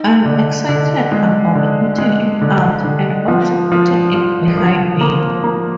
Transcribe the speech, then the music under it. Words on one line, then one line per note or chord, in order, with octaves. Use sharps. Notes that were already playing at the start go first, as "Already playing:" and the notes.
I'm excited about putting it out and also putting it behind me.
Already playing: D#4
D3
D3
G#3
D3
G#3
D3
D3
F3
F3
F3
F3
A#3
A#3